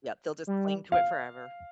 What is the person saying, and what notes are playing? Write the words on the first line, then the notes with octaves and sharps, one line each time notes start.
Yep, they'll just cling to it forever.
G3
F5